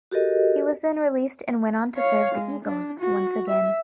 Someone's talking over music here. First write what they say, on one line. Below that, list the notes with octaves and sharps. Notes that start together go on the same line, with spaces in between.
He was then released and went on to serve the 'Eagles' once again.
F#4 G4 A4 A#4 D#5
C#5 F5
G#3
D4
F#4
E5